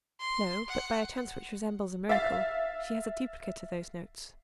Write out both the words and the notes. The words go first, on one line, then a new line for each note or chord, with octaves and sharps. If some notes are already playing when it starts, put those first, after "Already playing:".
"No; but by a chance which resembles a miracle, she has a duplicate of those notes."
C6
F#5
E5 F5 A6